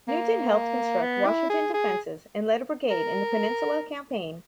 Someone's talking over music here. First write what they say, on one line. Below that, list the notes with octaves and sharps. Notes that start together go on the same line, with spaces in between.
Newton helped construct Washington defenses and led a brigade in the Peninsula Campaign.
A#3
B3
E4
G#4
G#4
A#4